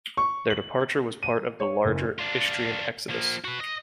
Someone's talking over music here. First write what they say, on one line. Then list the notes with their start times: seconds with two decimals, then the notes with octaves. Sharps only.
Their departure was part of the larger Istrian exodus.
0.17 C#6
0.50 F#7
1.23 D#7
1.60 C#5
1.85 F#1
2.19 D4 F4
3.10 F3 A#3
3.44 F#4 B4
3.60 D#5